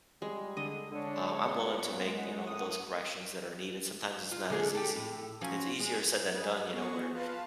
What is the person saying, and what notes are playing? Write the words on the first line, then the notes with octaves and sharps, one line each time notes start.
um, I'm willing to make, you know, those corrections that are needed sometimes it's not as easy. It's easier said than done, you know, where,
G3 G#3
D3 G#4 D#5
D3 G#3 D4 C#5
A#2 B3
G#3 F#5
A2 D#6
F4
D3 G#3 G#4
G4 A4
A2
F3 F#3 C#4
G#3
G#4 B4
B3 F#4 G#4 C#6
F4 B4 F5 A5